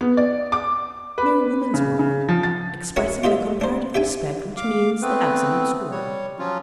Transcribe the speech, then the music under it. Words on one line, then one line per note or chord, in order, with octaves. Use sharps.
"Mere woman's work Expressing the comparative respect Which means the absolute scorn."
B3
D5
D6
B4
C#3
C#3
F3
A6
C#4 F#4 A#4 E5 F#5
F4 G4 D#5 E5
D4 C5
G4 E5 G5 G#5
F5 D6
A3 B3 C4 B4
G3 C#5
F3 F#3 C#4 F4